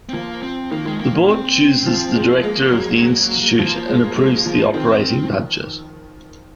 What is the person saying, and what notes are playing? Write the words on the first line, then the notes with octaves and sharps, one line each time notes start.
The Board chooses the Director of the Institute and approves the operating budget.
C4
F3 A#3
C4
D#3 A#3
D#3 G#3
A#3
A#2
C4
F3
G#3
G#3 A#3
F#3
F#3
F3 A#3
G#3
G#3
F3
D#3 C4